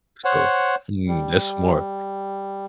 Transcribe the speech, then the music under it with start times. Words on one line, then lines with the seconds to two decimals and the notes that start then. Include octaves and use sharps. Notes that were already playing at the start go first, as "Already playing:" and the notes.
So, mm, that's smart.
0.25 C5 C#5 F#5
1.08 G3